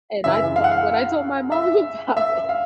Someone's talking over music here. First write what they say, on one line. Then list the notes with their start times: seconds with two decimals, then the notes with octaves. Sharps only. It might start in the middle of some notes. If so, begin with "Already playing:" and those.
And I felt when I told my mom about it,
0.24 F#2 C#3 E3 E5
0.56 F5
0.64 F#5
0.72 F5
1.52 E5
2.17 E5
2.49 F5